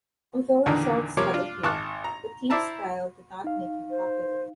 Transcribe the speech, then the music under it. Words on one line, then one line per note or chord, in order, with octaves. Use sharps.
Although results had improved, the team's style did not make him popular.
E2 A#2 D3 D#3 A#3 D4
C3 F3 G3 A#4 C#5 D6
D4 F4
G#1 A5 C#6 D6 F6 F#6
A#5
E4 C5 D5 E5 A5 A#5
D#4 F5
C5